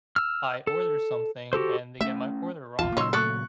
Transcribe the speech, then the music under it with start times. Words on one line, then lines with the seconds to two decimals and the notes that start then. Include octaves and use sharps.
I order something and they get my order,
0.16 E6 F6
0.67 A4
1.53 F#4 G4 A4 C5
2.01 A3 C4 C#4 E5
2.79 A#1 E2 F4 A5
2.97 A#2 C#3 F#3 D#4 C#5 C6 E6
3.13 A3 A4 C#6 F#6 C#7